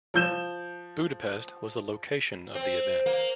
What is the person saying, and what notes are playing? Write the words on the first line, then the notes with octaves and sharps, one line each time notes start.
Budapest was the location of the event.
F3 G6 E7
C4
A#3